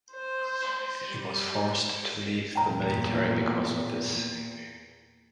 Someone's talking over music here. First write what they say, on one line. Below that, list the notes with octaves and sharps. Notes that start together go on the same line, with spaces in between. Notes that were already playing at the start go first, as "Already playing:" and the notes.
He was forced to leave the military because of this.
C5
G3
E2 A#2 G5 A#5